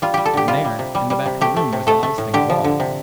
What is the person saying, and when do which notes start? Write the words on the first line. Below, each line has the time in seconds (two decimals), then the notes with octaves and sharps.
And there in the back of the room was the oddest thing of all.
0.02 G3 F4
0.14 G3 G4
0.26 A4
0.34 D3 G4
0.48 G3 F4
0.65 G3
0.79 C3
0.95 G3
1.10 G3
1.26 C3
1.41 A3 G4
1.56 A3
1.73 C3
1.87 A3 A4
2.03 A3
2.18 A2
2.34 D3 G4
2.50 F3
2.64 D3
2.80 C3